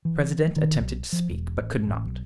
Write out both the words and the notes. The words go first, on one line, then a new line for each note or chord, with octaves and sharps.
The president attempted to speak, but could not.
E3
D#3
B1
F3
E1
A1
A1
B1